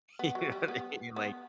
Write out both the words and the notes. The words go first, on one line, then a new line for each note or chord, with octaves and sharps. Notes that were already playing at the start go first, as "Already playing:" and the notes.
You know what I mean? Like
B3
F#3
G3
B3
B3